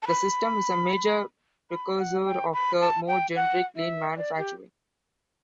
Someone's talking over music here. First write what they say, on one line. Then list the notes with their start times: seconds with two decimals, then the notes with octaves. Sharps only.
The system is a major precursor of the more generic "lean manufacturing".
0.03 A5
0.07 B5
1.71 B5
1.98 F#5
2.26 G5
2.53 B5
2.81 A5
3.08 G5
3.36 F#5
3.76 E5
4.17 D5
4.38 G4